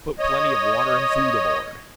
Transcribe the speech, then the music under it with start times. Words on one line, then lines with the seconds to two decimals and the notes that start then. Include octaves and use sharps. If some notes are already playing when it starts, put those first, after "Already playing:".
"Put plenty of water and food aboard."
0.19 C#5 D#5